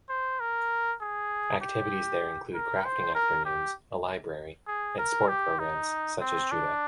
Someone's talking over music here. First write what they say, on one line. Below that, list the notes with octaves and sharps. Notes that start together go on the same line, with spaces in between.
Activities there include crafting afternoons, a library, and sport programs, such as judo.
C5
A#4
G#4
G4
A#4
C5
A#4
G4
G#4
A#4
G4
D#4
C4
D4